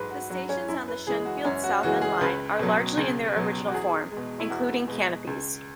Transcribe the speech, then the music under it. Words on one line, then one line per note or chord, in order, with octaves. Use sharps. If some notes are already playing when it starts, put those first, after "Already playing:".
The stations on the Shenfield-Southend line are largely in their original form, including canopies.
Already playing: G#2 F#3 B4
F#4
F#3 F#4
C#4
F#2 E4
B4
C#3 E3 G#3 G#4
F#4
F#2 C#4
F#4
C#3 E3 G#3 F#4
G#4
C#2 B4
B2 F#3
C#2
B2 F#3
F#4
E2 G#4
G#3
B2
E4
E2 F#4
B2 G#3
C#2